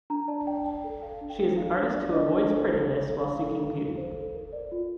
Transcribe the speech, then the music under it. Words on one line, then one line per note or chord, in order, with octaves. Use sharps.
She is an artist who avoids prettiness while seeking beauty.
D4 A#5
D5 A5
D5 G5
A5
D5 G5
A4
A4 F5
D4
G5
A4
A4 F5
D4
D5
D4 D#5
C5
A4
C5
A4
A4
D4 F5
A4
A4
A4
C5
A4
A#4
D5
F4